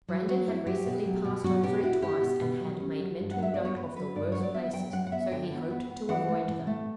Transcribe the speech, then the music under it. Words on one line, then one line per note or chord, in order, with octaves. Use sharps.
Brandon had recently passed over it twice, and had made mental note of the worst places, so he hoped to avoid them.
F#3
F#3 F#4
E4
F#3 G4
B2
F#3
B2
F#3 F#4
B2 G4
E4 F#4
E4 G4
B2
B2
F#3
C#4
F#3
G2
F#5
F#3 E5
B3 D5
C#5
B3 B4
F#3 B4
G2 D5
F#3 C#5
D5
B3 E5
F#3 G5
F#3 F#5
F#5
B3 E5
D3 G5
B3
B3
B3
E3 F#5
A3
A2
A3